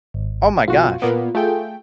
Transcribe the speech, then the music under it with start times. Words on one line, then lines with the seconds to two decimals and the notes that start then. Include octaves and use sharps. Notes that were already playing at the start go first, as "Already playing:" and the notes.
Oh my gosh.
0.14 G#1
0.68 B1 F4 F#4
1.02 A#2 A#3 B3
1.35 A3 F4 G#4 G5